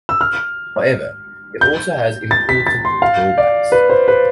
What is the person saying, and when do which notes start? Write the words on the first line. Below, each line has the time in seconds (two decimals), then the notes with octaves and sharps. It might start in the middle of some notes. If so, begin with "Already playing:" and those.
However, it also has important drawbacks.
0.09 E6
0.21 F6
1.61 G6
2.31 A6
2.49 B6
2.67 A6
2.85 C6
3.02 F5
3.38 D5
3.72 B4
3.90 C5
4.08 B4